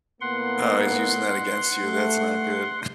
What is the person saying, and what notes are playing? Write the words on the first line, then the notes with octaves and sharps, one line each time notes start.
Oh, he's using that against you. That's not good.
A2 A#3 B3 F#5 C6
A3